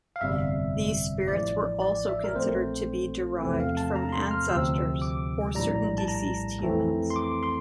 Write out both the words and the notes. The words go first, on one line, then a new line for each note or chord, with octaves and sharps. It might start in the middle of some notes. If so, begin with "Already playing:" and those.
These spirits were also considered to be derived from ancestors or certain deceased humans.
F5
G1 F2 C3 G3 E5
A1 A2 F3 D5
D5
E5
A#4
A#1 A#2 A3 C4 C5
E2 C3 F3 A3 C4
F5
A5
A#5
C6
F6
D2 C3 F3 C4 E6
D6
A#1 A2 G3 A#5
A5
A#5
F2 E3 A3 C4
C6
D6
C6